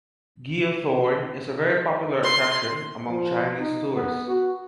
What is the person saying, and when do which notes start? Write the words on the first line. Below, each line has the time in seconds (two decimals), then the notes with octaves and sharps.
Giethoorn is a very popular attraction among Chinese tourists.
2.23 C6
3.08 F3
3.59 D#4
3.94 B3
4.28 F#4